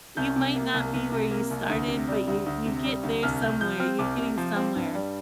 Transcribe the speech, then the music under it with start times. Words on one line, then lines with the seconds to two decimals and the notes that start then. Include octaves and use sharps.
You might not be where you started, but you you get there somewhere. You're getting somewhere.
0.17 C2 G6
0.36 C3
0.55 A#3
0.74 C2
0.94 C2
1.12 C3
1.31 A#3
1.50 C2
1.69 D2
1.88 C3
2.08 G3
2.27 D2
2.46 D2
2.66 C3
2.85 G3
3.03 D2
3.23 C2 F6
3.41 C3 G6
3.61 F3 G6
3.80 C4 F6
3.99 C2 D6
4.18 C3
4.38 F3
4.56 C4
4.76 G2
4.95 G3